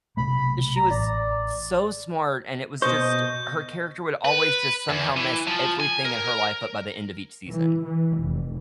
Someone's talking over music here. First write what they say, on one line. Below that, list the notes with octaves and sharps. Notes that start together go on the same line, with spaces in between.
she was s so smart, and it was just her character would always just somehow mess everything in her life up by the end of each season.
B1 C3 A3 B5
A#5
A1 D5
B2 C5 D#5 C#6 G6
B4
E2
E3
F3
G#5
A#4
E3
E3
F1